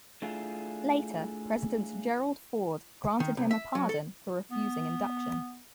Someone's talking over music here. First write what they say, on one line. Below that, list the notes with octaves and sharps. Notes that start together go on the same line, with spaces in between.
Later, President Gerald Ford granted him a pardon for refusing induction.
A3 D4 E4 F4 G#4
D#3
C2
E5
F#3
A4
B3